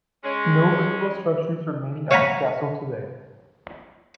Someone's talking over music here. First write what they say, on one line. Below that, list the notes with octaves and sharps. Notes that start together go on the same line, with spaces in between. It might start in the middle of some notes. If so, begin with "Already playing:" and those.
No visible structures remain of the castle today.
G#3 C#4
C#5 F5 F#5 G#5 A#5 B5